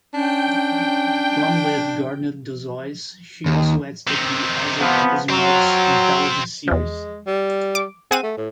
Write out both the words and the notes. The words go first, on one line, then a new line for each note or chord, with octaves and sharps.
Along with Gardner Dozois she also edited the "Isaac Asimov's" anthology series.
C#4 D4 G5
D#2
C3 D#3
F3 B3
F#3 C4 F4
E2 F3 G#3
G3
D6
C4 G#4 F#5 D#7
A3
A2